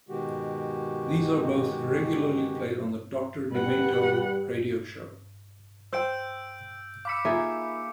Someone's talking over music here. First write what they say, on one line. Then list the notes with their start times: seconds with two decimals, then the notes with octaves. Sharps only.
These are both regularly played on the "Doctor Demento" radio show.
0.09 B2 D#3 G#3 F#4 G4
3.52 G3 B4 F#5
5.93 C5 G5 E6 G6 D7
7.05 F5 B5 D6 E6 C#7
7.25 A#3 D#4 F4 G#4 A#4 E5